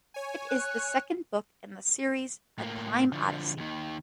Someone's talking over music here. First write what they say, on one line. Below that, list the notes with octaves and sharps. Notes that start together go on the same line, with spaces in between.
It is the second book in the series "A Time Odyssey".
C#5 G#5
F#6
A2 A#3
D3 F3
D#2 D#3